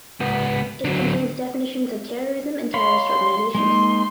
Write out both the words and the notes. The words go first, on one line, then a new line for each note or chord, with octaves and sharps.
It contains definitions of terrorism and terrorist organizations.
C#2 B3
D3 F#3
C#5 F5 B5 C6
C6
G#3 A#3 D#4 C6